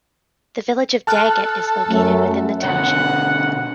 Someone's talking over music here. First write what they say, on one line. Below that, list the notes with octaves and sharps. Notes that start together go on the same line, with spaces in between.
The village of Daggett is located within the township.
A4 A5 F6 F#6
F#2 A3
B2 D3 C#5 F#5